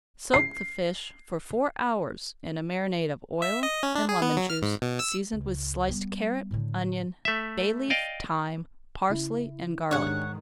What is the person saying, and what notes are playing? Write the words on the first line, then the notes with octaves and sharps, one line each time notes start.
Soak the fish for four hours in a marinade of oil and lemon-juice, seasoned with sliced carrot, onion, bay-leaf, thyme, parsley, and garlic.
C7
E5
D#5
C#4
D4
G#4
B3
F#3
F6
G#2
B2
E6
C#2
G3 B3
A2 D3
A3 E5
D5 D#5 F5 G5
C#3 E4
G#2 D#3 D4 G4 G#4 C#5 F#5